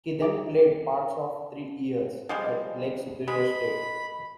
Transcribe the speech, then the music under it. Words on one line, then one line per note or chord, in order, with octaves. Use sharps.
He then played parts of three years at Lake Superior State.
D#4 G#4 D6
F3 G3 G#3
G#3 B5